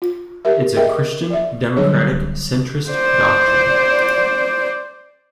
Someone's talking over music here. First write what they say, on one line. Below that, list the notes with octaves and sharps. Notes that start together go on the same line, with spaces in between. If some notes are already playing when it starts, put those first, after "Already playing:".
It's a christian-democratic centrist doctrine.
F4
G4 A#4 E5
G#4 A#4 D#5 E5 G5
D5 E5
D3 F#3 G3 D4 G#4 C#5
C5 D5